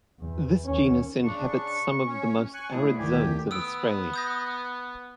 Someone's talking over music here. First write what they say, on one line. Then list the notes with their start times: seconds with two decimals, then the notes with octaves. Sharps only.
This genus inhabits some of the most arid zones of Australia.
0.20 E2
0.65 D#2 C#4
1.24 C#3 D4 C#6
2.06 C#4
2.54 G#5 C#6 F#6
2.73 G#2 A3 E4 G#4 D5
2.99 D2 D#3 G4 G#5
3.51 B3 D#6 E6 D7
4.14 D#6 G6 A#6